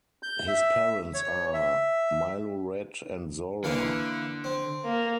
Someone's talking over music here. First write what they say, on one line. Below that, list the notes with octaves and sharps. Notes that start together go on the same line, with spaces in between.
His parents are Milorad and Zora.
G6
E5
C#5
E5
D3 E3 A#3 F5
C4
A#3